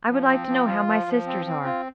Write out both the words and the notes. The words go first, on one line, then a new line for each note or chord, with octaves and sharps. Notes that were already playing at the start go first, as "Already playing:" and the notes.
I would like to know how my sisters are.
F3
C4
F3
F4
F3
F3
C4
C4
F4